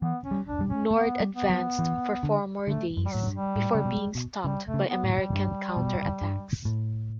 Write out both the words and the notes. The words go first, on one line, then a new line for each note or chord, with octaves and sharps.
Nord advanced for four more days before being stopped by American counterattacks.
E3 B3
C#4
G3
D4
G3
C#4
A3 B3
G3
B3
F#3
E3
D3
D3 A3
F#2
G3
A2 F#3
G2
G3
A2
C#3
B2
B2
C#3 G3
A3
C#3
B3
A2
G3
G2
B2
G2
A2